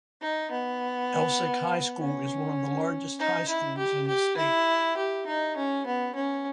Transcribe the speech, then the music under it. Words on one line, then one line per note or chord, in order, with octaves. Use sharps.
Elsik High School is one of the largest high schools in the state.
D#4
B3
C#4
D#4
E4
G4
G4
E4
G4
D#4
C#4
B3
C#4